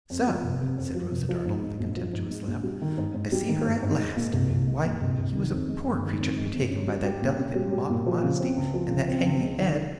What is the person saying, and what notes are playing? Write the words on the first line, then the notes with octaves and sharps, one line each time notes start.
'So!' said Rosa Dartle, with a contemptuous laugh, 'I see her at last! Why, he was a poor creature to be taken by that delicate mock-modesty, and that hanging head!'
F2
F3
F1
C3
F2
F3
F1
F3
G#2
G#3
A#1
F3
G#2
G#3
A#1
G3
D#3
G#2
G#2
G3
D#3
G#2
G#2
G#3
A#2
C2
C2
G#3
A#2
C2
C2
D#3
F2
G#3
G1
D#3
F2
G#3
G1
C#4
G3
G4
A#2
C#4
G3
G4
A#2
F3
C#3
C4
C#2
F3
C#3
C4
C#2
G#3
D#3